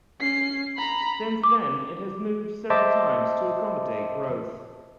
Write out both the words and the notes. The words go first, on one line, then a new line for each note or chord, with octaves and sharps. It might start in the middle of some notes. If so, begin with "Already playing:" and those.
Since then it has moved several times to accommodate growth.
C#4 C7
A#5 B5
D6
C5 D#5 E5 A5 D6